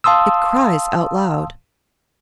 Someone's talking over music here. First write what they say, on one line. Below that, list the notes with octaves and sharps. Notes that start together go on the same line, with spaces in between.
It cries out aloud.
F5 A5 C6 D#6 E6